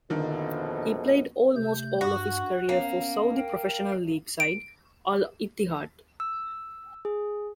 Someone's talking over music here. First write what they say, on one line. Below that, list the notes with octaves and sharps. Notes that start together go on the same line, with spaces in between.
He played almost all of his career for Saudi Professional League side Al Ittihad.
A#1 F2 B2 D3 D#3
C3 A3 G6
G2 F#4
A#3 B3 C#4
A#4 F5 G5
D7
E6
G#4